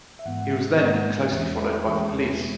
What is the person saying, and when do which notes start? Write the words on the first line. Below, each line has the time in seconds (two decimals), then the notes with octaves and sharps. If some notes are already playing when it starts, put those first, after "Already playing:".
He was then closely followed by the police.
0.19 E5
0.26 G#2 E3 G#3 B3 F#5
0.78 G#2 E3 G#3 B3 F#5
1.32 E2 E3 G#3 C#4 E5
1.59 B4
1.85 E2 E3 G#3 C#4 G#4
2.03 G#4
2.21 G#4
2.40 B2 G#3 B3